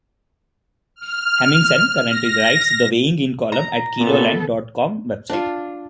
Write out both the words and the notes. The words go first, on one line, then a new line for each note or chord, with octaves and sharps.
Hemmingsen currently writes the "Weighing In" column at the Keloland dot com website.
F6
A#6
A#5
A#2 B3 A4
D4 F4